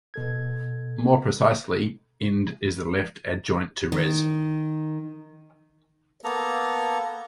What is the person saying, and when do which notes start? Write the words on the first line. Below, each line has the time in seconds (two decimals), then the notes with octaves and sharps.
More precisely, Ind is the left adjoint to Res.
0.14 B2 A4 G#6
3.92 D#3
6.24 A#3 B3 A4 A#5